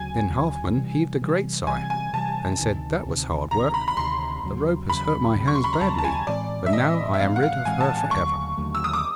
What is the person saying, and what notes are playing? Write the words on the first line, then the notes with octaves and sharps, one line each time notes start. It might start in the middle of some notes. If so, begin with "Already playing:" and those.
Then Halfman heaved a great sigh and said, 'That was hard work; the rope has hurt my hands badly, but now I am rid of her for ever.'
Already playing: D2 C#3 F#3 G#5
D2 C#3 F#3
C3 E3 G3
C3 E3 G3
C3 E3 G3 G#5
G#5
C3 E3 G3 A5
D2 C3 D#3
D2 C3 D#3
D2 C3 D#3 A#5
B5
B5
D2 C3 D#3 C6
D#2 C#3 F#3
D#2 C#3 F#3 B5
D#2 C#3 F#3
C#6
C6
B5
A#5
D#2 C#3 F#3 A5
A5
G#5
A2 E3 G#3 C4 D5
E5
A2 E3 G#3 C4 D#5
E5
A2 E3 G#3 C4 F5
F#5
F5
A2 E3 G#3 C4 G#5
A5
D#2 D3 F#3 A3 C#6
D#2 D3 F#3 A3
E6
D#6
D6